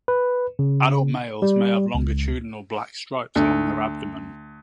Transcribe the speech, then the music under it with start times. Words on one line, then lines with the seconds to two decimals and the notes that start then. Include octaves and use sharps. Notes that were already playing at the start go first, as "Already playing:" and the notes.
Adult males may have longitudinal black stripes along their abdomen.
0.08 B4
0.59 C#3
1.42 G3
1.95 C#2
3.36 D2